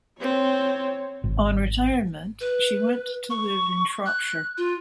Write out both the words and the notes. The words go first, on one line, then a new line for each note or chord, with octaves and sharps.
On retirement she went to live in Shropshire.
C4 C#5
G#1
B4
C#6
F#6
F4